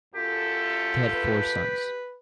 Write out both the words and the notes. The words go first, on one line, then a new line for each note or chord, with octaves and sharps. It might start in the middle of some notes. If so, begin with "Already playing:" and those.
They had four sons.
F#2 F4 G4 A4
B4